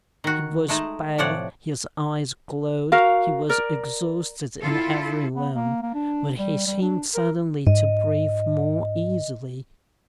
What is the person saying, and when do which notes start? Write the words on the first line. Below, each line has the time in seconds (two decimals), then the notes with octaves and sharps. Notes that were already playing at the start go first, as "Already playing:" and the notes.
He was pale, his eyes glowed, he was exhausted in every limb, but he seemed suddenly to breathe more easily.
0.24 D#3 F#4
0.69 G#3 A3 D#4 A5
1.18 A2 C3 F3 C#5 D5 F#5
2.92 F#4 A#4 F5
3.49 A#4 D5
4.61 E4 F4 A4
5.35 B3
5.54 A#3
5.82 A#3
5.94 D4
6.39 G3
6.67 G3
6.82 D4
7.15 A#4
7.67 G#2 D#5